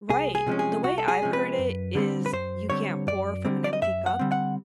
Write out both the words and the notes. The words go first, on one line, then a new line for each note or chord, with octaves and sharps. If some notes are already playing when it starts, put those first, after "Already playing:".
Right. The way I've heard it is you can't pour from an empty cup,
C2 G#4
G#4
C3 F3 G#3 C#4
G#4
C2 F#4
A4
G#4
C3 F3 G#3 C#4
B4
F#2
D3 G3 C4
B4
F#2 C5
D3 G3 C4 C#5
F#2 D5
D3 G3 C4
D5
D#5
F#2 E5
F#5
D3 G3 C4
F#5